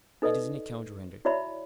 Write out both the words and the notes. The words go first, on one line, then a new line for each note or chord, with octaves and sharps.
It is an account rendered.
D#4 A4 B4 D5 D#5
E4 F#4 C#5 D5 E5 B5